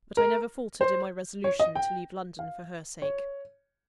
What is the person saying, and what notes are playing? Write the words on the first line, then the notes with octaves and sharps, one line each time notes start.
But I never faltered in my resolution to leave London for her sake.
A#4
C5
C#5
D#5
G5
F5
C#5